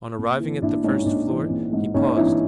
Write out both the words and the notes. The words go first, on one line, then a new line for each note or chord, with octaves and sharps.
On arriving at the first floor, he paused.
A#1
E3
A#1 D4 E4
G#2 C#4 D#4
A#1 D4
E3
A#1
G#2
A#1 C#4 D#4
E3 D4 E4